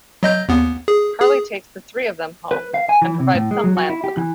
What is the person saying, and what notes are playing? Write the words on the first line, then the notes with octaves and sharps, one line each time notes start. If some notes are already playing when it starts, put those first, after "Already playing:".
Harley takes the three of them home, and provides some land for them.
F#3 D#5 G6
D#2 B3
G#4
G#4
B4
F5
G#5
E3
C3
A2
G#3
F#3
F#4
E4
G4
E3